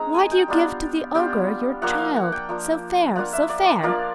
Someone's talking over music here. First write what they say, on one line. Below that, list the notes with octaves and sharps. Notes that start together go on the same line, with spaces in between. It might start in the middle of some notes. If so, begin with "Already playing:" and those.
Why do you give to the ogre Your child, so fair, so fair?
Already playing: G#3 C4 D#4 A#5
G#5
G5
G3 B3 D4 F4
G3 B3 D4 F4 G5
F3 A#3 D4 F#5
F5
F#5
G5
F3 A#3 D4
F3 A#3 D4 F4 F#5
E5
D5
D5
F3 A#3 D4 F4 D5